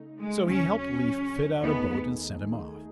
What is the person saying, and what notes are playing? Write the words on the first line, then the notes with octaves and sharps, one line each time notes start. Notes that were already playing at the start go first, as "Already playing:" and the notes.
So he helped Leif fit out a boat and sent him off.
Already playing: C#3 A3 D#4
G#3
D#2 C#3 F#3 C#4
C#4
D#2 D#3 A3 B3 D#4 G#4